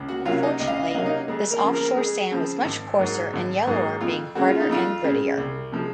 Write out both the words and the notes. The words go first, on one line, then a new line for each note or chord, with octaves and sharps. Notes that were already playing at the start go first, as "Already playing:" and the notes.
Unfortunately this off shore sand was much coarser and yellower being harder and grittier.
Already playing: C#2
F#4 F#5
C3 F#3 A#3 C#4 F4 F5
D#4 D#5
C#2 D#5
F5
D#5
F5
D#5
C3 F#3 A#3 C#4 F5
D#4 D#5
F2 G#3 G#4
A#3 A#4
C#3 F3 C4
A#3 A#4
A#4
F2 G#3 G#4
C#3 F3 C4
G#1
G#2 F#3 A#3
G#1
G#2 F#3 A#3
F2 F4
C#3 G#3 C4 F#4
F4
D#4
F2 F4
C#3 G#3 C4
C2
C3 F3 G#3